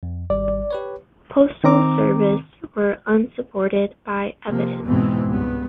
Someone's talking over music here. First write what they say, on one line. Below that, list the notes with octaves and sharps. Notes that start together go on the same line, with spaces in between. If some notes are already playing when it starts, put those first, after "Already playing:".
Postal Service were unsupported by evidence.
F2
G#1 G3 D5
G4 B4 C#5
D#3 C4 A#5 D6
C3 F3 A#3
E2 G#2 B2 E3 G#3 C4
C#2 G2 B3